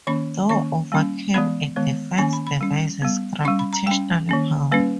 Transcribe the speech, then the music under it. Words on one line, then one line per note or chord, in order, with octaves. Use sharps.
Thor overcame a defense device's gravitational power.
D#3 A#3 C#4 B5
D#3 A#3 C#4 C#6
G3 A#3 C#4
E3 G#3 B3 B5
D#3 G#3 B3
D#3 A#3 C#4 G#5
B5
B5
G3 C#4
G3 B3
G3 C#4 C#6
B5
A#5
G3 C#4 G5
D#3 A#3 C#4
G3 A#3 C#4 B4